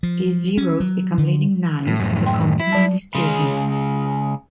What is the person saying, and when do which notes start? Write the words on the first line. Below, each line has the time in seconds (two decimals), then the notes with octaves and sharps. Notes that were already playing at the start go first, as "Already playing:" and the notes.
These zeros become leading nines when the complement is taken.
0.03 F3
0.57 C#4
0.80 F#3
1.18 D3
1.87 A2
2.00 F#2 A2
2.26 G5 C6
2.60 E4
2.72 F#3 A5
3.15 C#3 G#3